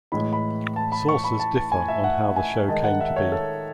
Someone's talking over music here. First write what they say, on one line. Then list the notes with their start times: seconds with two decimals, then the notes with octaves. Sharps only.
Sources differ on how the show came to be.
0.12 A2 E3 G#3 B5
0.33 B5
0.76 A5
0.92 B5
1.09 C#6
1.24 B5
1.40 A5
1.56 A5
1.72 G#5
1.88 E5
2.04 F#5
2.36 G#5
2.68 D#3 G#3 D#4 A5
2.84 F#5
3.00 E5
3.16 C#5
3.32 A4